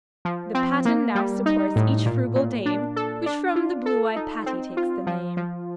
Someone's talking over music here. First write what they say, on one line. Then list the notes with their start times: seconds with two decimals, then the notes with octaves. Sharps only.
The patten now supports each frugal dame, Which from the blue-eyed Patty takes the name.
0.25 F3
0.55 C4
0.85 A#3
1.15 G3
1.46 D#4
1.76 A2
2.06 A#2
2.35 A#2
2.66 D4
2.96 A4
3.26 D4
3.56 F4
3.86 A4
4.16 D#4
4.46 C4
4.77 F4
5.07 F3
5.37 F3